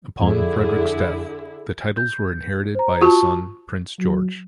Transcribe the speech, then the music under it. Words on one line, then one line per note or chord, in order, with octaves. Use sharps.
Upon Frederick's death, the titles were inherited by his son Prince George.
F2 D3 E4 G#4
G6
C5 A#5
F4 F#4 A5 C#6
F#3